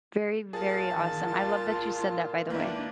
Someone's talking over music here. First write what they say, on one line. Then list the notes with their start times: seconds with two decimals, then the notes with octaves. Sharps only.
Very, very awesome. I love that you said that, by the way.
0.53 A#2 G#4 A#4 A5
0.93 D#3
1.30 F4
2.50 D#3 A#3 D4 E4 B4